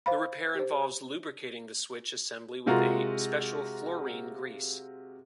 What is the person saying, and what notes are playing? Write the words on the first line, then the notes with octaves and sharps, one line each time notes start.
The repair involves lubricating the switch assembly with a special fluorine grease.
C5 F5 B5
G4 C5
C3 G#3 F4 F#4 A#4